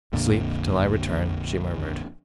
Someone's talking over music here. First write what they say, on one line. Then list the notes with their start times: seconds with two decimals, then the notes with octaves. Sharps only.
"Sleep till I return," she murmured.
0.13 A#1 F2 A#2 D3